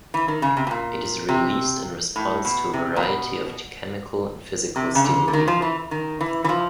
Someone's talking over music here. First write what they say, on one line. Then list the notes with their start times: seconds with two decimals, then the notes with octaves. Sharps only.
It is released in response to a variety of chemical and physical stimuli.
0.14 E3
0.28 D#3
0.42 C#3
0.57 C3
0.67 B2
0.71 A#2
1.29 C3
2.16 A2
2.45 B2
2.73 C3
2.96 A#2
3.03 B2
4.76 C3
4.95 C#3
5.04 D3
5.28 D3
5.33 D#3
5.48 F3
5.62 E3
5.91 D#3
6.21 E3
6.44 E3
6.49 F3